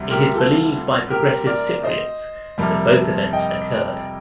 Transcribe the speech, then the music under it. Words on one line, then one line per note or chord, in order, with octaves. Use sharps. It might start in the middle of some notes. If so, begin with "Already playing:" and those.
It is believed by progressive Cypriots that both events occurred.
Already playing: D2 C3 G3
G4 A#4
F4 A4
G4 A#4
A#4 D5
C5 D#5
F2 C3 G3 A#3
D#5 G5